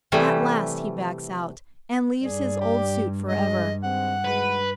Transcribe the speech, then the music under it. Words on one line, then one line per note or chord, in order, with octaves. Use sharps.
At last he backs out, and leaves his old suit for ever.
C3 E3 G3 A3
G2 G#4 D5
G4
G#3 D#5
D#3 G#3 C4 F#5
B2 D#3 G#3 B4